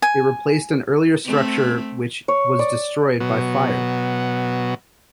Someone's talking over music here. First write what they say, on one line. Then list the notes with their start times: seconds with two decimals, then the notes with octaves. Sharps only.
It replaced an earlier structure which was destroyed by fire.
0.02 G#5
1.24 A3 C4
2.28 C#5
2.59 D5
3.20 B2 F#3